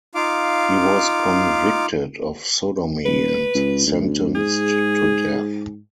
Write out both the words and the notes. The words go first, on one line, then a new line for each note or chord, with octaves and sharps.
He was convicted of sodomy and sentenced to death.
D#4 F4 F5 D6
D#1 B4
C#2
D2
G#2 G#4